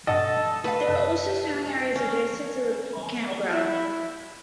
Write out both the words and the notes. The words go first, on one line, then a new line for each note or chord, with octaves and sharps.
There are also swimming areas adjacent to the campground.
G2 B2 A4 D#5 F#5
A3 B4 F5
F#2 C3
C#4
E4